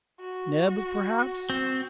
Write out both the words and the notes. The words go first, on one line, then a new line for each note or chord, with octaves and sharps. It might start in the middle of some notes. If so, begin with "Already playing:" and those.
"Neb, perhaps?"
F#4
C4